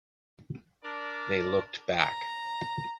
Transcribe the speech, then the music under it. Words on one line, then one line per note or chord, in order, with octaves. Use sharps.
They looked back.
D4 A#4 D5
A#5